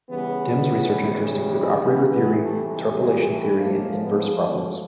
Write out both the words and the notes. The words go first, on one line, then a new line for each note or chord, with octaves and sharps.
Dym's research interests include operator theory, interpolation theory, and inverse problems.
C#3 E3 G3 B3
C3 E3 G3 B3
B3
A3
G#3
G#3
A3
A2 F3 G#3 A#3
B3
B3